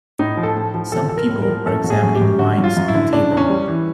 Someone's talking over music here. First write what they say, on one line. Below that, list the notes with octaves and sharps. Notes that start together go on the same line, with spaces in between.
Some people are examining wines on a table.
A2 D#4
F3
A4
A2
F3
F3 A4
F3 A4
A#4
A2
A#4
F3
F#2 A4
F#3
G#4
F#2
G4
F#2
D3 F#4
F#3
F4
F#2
E4
D3
C#3 D4
E2
C#4
G3
E3